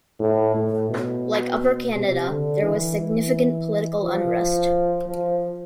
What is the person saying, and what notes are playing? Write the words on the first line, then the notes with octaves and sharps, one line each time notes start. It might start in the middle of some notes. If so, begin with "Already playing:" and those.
Like Upper Canada, there was significant political unrest.
A2
A2
B2
C3
D3
E3
E3
F3
F3